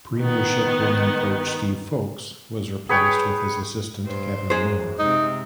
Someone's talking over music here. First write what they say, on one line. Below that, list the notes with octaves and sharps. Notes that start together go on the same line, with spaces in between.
Premiership-winning coach Steve Folkes was replaced with his assistant Kevin Moore.
D#3 B3
G#4 B4 C#5 G5
G2 C5
F#2 G#4 C5
C3 G#3 D#4